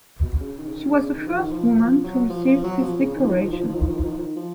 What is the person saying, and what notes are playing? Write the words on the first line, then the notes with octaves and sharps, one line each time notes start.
She was the first woman to receive this decoration.
B2
C#3
D#3
C#3
D#3
C#3
C#3
D#3
F3
D#3
F3
F3
F#3
F3
F3
F#3
F3
C#3
D#3
F3
D#3
F3
D#3
F3
D#3
F3
D#3
F3
D#3
F3
D#3
F3
D#3
F3